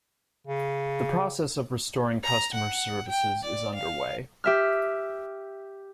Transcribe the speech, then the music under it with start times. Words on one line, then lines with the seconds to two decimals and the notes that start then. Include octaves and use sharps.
The process of restoring customer services is underway.
0.47 C#3
2.24 A#5
2.54 F#5
3.08 G5
3.44 D5
3.75 F5
4.44 G4 E5 F6